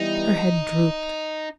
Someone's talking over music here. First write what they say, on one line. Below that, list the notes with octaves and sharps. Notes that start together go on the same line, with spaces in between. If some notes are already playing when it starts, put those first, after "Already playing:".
Her head drooped.
Already playing: E3 G3 B3 D#4 E4